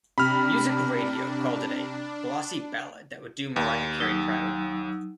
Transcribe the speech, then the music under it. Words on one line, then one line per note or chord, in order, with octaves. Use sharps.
Music Radio called it a "glossy ballad that would do Mariah Carey proud".
C3 D4 B5 F6
D#2
F#3 D#4 E6